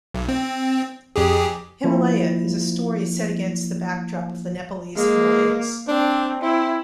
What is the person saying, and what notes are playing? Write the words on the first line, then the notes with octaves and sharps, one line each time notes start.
Himalaya is a story set against the backdrop of the Nepalese Himalayas.
B1
C4
F2 G4 G#4
F3 A#3 E4
G#3 A#3
C4 D4
C4 E4